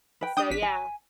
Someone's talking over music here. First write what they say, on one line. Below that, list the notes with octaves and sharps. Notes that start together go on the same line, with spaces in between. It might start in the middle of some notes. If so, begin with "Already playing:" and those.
So, yeah.
B4 G5
D4 G5 D#6 G6
G#1 B6
G#5